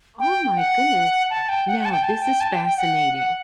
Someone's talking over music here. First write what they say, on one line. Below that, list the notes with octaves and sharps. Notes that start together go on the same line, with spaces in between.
Oh, my goodness. Now this is fascinating.
G5
F#5
A5
G5
F#5
F#5
A5
G5
A5
G5
A5
G5
G5
F#5
F#5